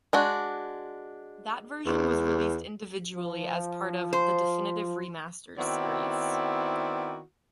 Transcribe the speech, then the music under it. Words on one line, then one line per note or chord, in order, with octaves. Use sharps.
That version was released individually as part of "The Definitive Remasters" series.
G#3 D4 F#4
E2
F3
C5
D#3 B3 C4 E4 F#4 D5